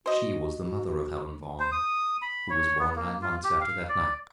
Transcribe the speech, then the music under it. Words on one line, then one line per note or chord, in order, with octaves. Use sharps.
She was the mother of Helen Vaughan, who was born nine months after that night.
F#4 C5 D#5
C5
D#6
B5
C#5
B3
A#3
F4
G4
F5
D5